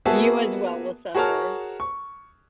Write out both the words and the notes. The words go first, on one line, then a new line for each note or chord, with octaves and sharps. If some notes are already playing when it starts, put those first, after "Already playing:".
You as well will suffer.
A#3 B3 F#4 G#4 E5 A5
F#4 G#4 A#4 C#5 A5 F6
C#6